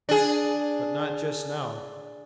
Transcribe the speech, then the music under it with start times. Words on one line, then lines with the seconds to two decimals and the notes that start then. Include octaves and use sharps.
But not just now.
0.09 D4 G#4